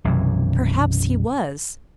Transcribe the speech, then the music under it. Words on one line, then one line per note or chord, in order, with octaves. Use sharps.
'Perhaps he was.
B1 F#2 C3 E3